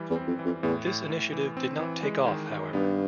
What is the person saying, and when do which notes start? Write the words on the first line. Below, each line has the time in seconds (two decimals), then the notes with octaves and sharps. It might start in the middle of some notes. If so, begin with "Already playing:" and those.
This initiative did not take off however.
Already playing: E3 G3
0.10 E2
0.16 C4
0.27 F2
0.39 E3
0.45 F2
0.63 E2 A2
0.87 A2
1.10 A2
1.33 E3
1.57 C4
1.79 E3
2.03 G#3
2.26 D#3
2.50 D#3
2.73 G2 B3